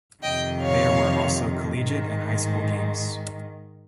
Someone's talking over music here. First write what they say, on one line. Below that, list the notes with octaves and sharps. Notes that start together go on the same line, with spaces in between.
There were also collegiate and high school games.
F2 C3 D#3 D#5 G5
C#5 F5
G#2 D#3